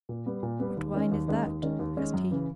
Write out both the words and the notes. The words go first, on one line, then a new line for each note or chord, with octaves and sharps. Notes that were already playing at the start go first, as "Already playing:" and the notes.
"What wine is that?" asked he.
A#2
G3 B3
A#2
G3 B3
D#2
D#3 G#3 C#4
D#2
D#3 G#3 C#4
D#2
D#3 G#3 C#4
D#2
D#3 G#3 C#4
F#2
C#3 E3